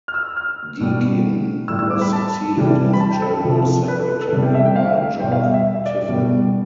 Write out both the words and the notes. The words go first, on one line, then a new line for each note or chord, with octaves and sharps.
Deakin was succeeded as general secretary by Jock Tiffin.
F6
E6
F6
B2 G3
A2 G3 E6
E6
D6
B5
A5
C3 E3 G3
B5
A5
G5
A4
A4
C3 F3
B4
A4
B4
A4
C3 G3
G5
E5
G5
F5
E5
F5
B2 G3 G5
F5
E5
E5
E5
D5
D5
B2 G3